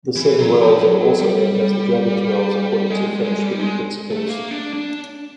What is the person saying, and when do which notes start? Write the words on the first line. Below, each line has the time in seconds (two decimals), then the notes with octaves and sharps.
The Seven Wells are also known as the Dragon's wells according to fengshui principles.
0.16 E3
0.39 F#3
0.61 F3
0.84 F#3
1.19 G3
2.90 G#3
3.07 G#3
3.18 G3
3.25 G#3
3.42 G3
3.59 G#3
4.11 A3
4.28 A#3
4.51 D4
4.73 D4